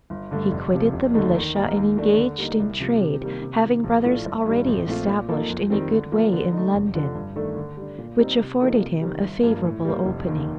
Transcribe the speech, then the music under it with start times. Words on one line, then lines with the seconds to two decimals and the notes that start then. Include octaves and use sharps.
He quitted the militia and engaged in trade, having brothers already established in a good way in London, which afforded him a favourable opening.
0.10 G1
0.31 G2 D3 A3
0.51 F1
0.72 F2 C3 F3
0.93 F1
1.14 D#2 D3 A3 D#4
1.35 D#3
1.56 G3 A#3 D#4 A#4
1.76 D#2
1.97 D#3 A3 D4
2.17 D3
2.38 G3 A#3 D#4
2.60 C2
2.80 C3 F3
3.01 C3
3.21 D#3 G3 A#3
3.42 C3
3.63 D#3 A#3
3.84 A#1
4.04 A2 A3 D4 F4
4.25 G1
4.45 G2 D#3 G3
4.66 A#1
4.87 A#2 A3 C4 F4
5.08 A#2
5.29 F3 A#3 D#4 A4
5.49 F2
5.70 D#3 G3 C4
5.91 D3
6.12 F3 A#3
6.33 D3
6.53 A3 D#4
6.74 F1
6.94 F2 D3
7.15 G2
7.36 D#3 A3 D4 A4
7.56 D3
7.77 G3 D4
7.98 A#2
8.19 G3 C4 D#4
8.39 C3
8.61 F3 A#3 D#4 A4
8.81 C3
9.01 D#3 G3
9.22 G1
9.43 G2 F3 A#3
9.64 A2
9.85 G3 A#3
10.06 F1
10.26 D#2 D#3